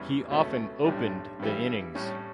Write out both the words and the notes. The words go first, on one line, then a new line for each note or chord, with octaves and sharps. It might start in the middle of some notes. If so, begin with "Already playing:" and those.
He often opened the innings.
Already playing: E2 C#3 E3 G3 C#4
C#2 B2 A3 C#4
B1 A2 G3 D4
G2 E3 G3
A2 G3 C#4